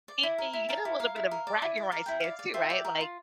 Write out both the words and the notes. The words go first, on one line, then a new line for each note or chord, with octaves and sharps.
And and you get a little bit of bragging rights there too, right? Like,
D5
E4
A#4
E4
A#4 F5 A5
E4
A#4 F5
E4
A#4
D5
E4
D5
A#4 F5
E4 G5
D5 F5
D5
F4 E5 G5
D5
A#4
F4